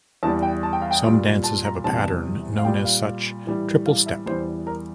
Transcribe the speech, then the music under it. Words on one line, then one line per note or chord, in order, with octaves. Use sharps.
Some dances have a pattern known as such: "triple step".
E2 E3 G3 A5
G5
A5
G5
F5
G5
A#2 G3
A5
A#5
E2 C3 G3 A5
F5
A#2 G3 G5
F5
A2 E3 G3
F5
E5
E2 E3 G3 C5
A#4